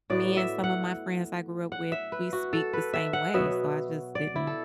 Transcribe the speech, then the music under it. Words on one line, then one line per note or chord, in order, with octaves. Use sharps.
me and some of my friends I grew up with, we speak the same way, so I just didn't
A2 F#3 B3 D5
E5
F#5
F#5
E5
B4
F#4
A4
B4
E5
F#5
B2 F#3 B3 E5
D5
E4
A4